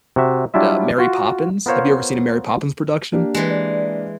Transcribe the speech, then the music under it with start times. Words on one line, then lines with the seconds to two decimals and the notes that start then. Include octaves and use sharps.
the Mary Poppins. Have you ever seen a Mary Poppins production?
0.16 C3 F#4 E5
0.54 F#3 G3 D4 E4 F4 E5
0.98 F4 F#4
1.66 B3 F4 A#4 C5 C#5 F5
3.13 A#3 D4 G4
3.35 E3 G#3
3.50 D5